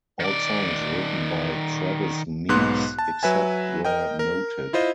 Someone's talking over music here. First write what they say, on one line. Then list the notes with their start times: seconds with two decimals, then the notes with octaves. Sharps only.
All songs written by Travis Meeks except where noted.
0.20 D#3 D5
2.49 B1 G#2 B3 C6 F#6
2.99 A5
3.23 F#3 B4 E5 G#5
3.85 A#4 D#5 G5
4.19 A#4
4.73 E4 F4 C5 D#5